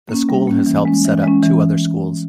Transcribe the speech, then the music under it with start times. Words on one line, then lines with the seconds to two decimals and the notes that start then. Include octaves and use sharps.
The school has helped set up two other schools.
0.09 A#3 C#4
0.29 G3
0.47 A#3 C#4
0.66 E3
0.85 G#3 C#4
1.05 E3
1.23 G#3 C#4
1.43 E3